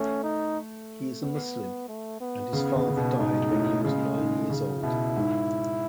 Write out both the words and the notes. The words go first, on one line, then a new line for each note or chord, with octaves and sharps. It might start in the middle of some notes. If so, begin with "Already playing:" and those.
He is a Muslim, and his father died when he was nine years old.
Already playing: A3 C#4
D#4
B3
A3
B3
C#3
C#3
C#3
B2
G#2 D#4
G#2
A2
C#3 G#3
D#3
C#3
B2 E4
G#2